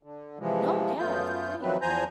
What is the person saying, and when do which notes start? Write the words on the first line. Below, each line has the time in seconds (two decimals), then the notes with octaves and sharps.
No, yes, please.
0.03 D3
0.39 C3 E3 F3 G#3
0.99 F#2 A3 B3 F4 G6
1.62 D#3 F3 F#3 A3 C4 B4
1.81 E2 F3 C5 G#5 A#5 G6